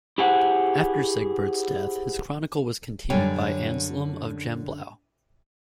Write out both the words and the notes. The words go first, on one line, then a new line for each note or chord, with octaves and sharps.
After Sigebert's death his chronicle was continued by Anselm of Gembloux.
E4 G4 G#4 C5 F#5
F#2 D3 G3 C#5 G5 G#5